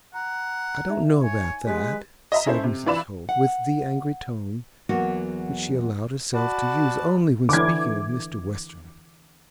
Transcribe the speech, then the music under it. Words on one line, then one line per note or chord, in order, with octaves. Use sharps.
"I don't know about that," said Mrs. Holt, with the angry tone which she allowed herself to use only when speaking of Mr. Western.
F#5 A#5
D#4 E5
C#5 G#5
G#3 G4 B4 C6
D#5 E5 A#5
C#4 E4 A4 C5
C3
E3 F4 D5 B5 E6 E7
F#5
E2 F#3 A#3 F#4
F#4 D5 F#5 A5 B5
D3 E3 D6 G#6